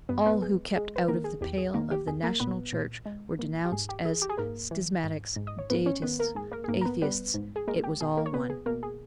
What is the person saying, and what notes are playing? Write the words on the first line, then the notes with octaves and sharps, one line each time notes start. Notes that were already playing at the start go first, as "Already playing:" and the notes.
All who kept out of the pale of the national church were denounced as schismatics, deists, atheists--it was all one.
G2 B3 B4
B3 B4
G#3
G#3
B4
D#3 A#3 A#4
G#4
E2 G4
G#4
D#3 A#3 A#4
G4
E2 G#4
A#3 A#4
A#2 B3 B4
A#2
G#3
A#2
G4
G#2 G#4
G4
E3 G#4
G4
G#4
G#2 A#3 A#4
E3
G#2
G#2
D#5
C#5
G#2 B3 B4
C#4 C#5
D#3 B3 B4
A#3 A#4
G#2 G#4
A#3 A#4
G#4
G#2 A#3 A#4
A#4
B3 B4
G3 B3 B4
G#2
G#4
G#3 A#3 A#4
G4
B2 G#4
A#3 A#4
C#5
B2 B3 B4
G#4
B2 A#3 A#4
G#4